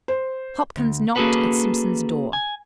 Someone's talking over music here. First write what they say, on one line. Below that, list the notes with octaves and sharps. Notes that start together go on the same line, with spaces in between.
Hopkins knocked at Simpson's door.
C5
D2
A#3 C#4 F#4 G#4 A4 B4
G#5